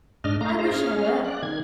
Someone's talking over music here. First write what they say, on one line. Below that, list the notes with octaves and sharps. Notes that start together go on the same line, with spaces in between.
I wish I were.
G#2 D4 D#5 F6
A3 F5 A#5
F4 G#4 C5 A#5
C#4 G#4 F6
D5 F#6
D#3 G#6